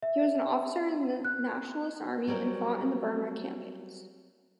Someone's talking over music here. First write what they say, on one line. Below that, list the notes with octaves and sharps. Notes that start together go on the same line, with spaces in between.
He was an officer in the Nationalist army and fought in the Burma campaigns.
E5
F#6
F#3 G3 C4 A#4